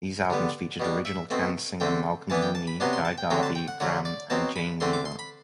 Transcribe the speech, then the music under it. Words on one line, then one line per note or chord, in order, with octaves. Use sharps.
These albums featured original Can singer Malcolm Mooney, Guy Garvey, Gramme, and Jane Weaver.
D3 G3 B3
B2 G3 D4
E5
B2 A3 C4
D3 A3 C4 G5
E3 B3 D4 A5
G5
A5
B5
C3 F#3 B3 D4 C6
C6
A5
G5
D3 F#3 A3 C4 G5
A5
G5
F#5
D3 F#3 A3 F#5
D5
B2 F#3 C4 A5
B5
D3 A3 C4 C6
D6
C6
B5